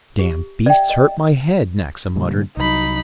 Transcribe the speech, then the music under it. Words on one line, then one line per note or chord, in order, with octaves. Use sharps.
"Dam' beasts hurt m'head," Naxa muttered.
G4
D5 E5 G5
D#5
A#2 D3 G3
C2 F#3 D#4 B5